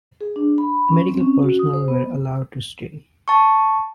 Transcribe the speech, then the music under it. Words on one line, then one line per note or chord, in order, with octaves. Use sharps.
Medical personnel were allowed to stay.
G#4
D4
B5
C#4
C4
C#4
F#4
D#6
C5
B3
A5 C#6